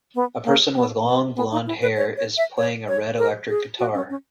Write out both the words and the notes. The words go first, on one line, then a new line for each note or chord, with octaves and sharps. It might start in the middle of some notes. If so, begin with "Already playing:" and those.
A person with long blondhair is playing a red electric guitar.
B3
A#3
B3
B3
B3
D#4
E4
B4
C#5
C#5
E5
C#5
C#5
A#4
G#4
F#4
C#4
C#4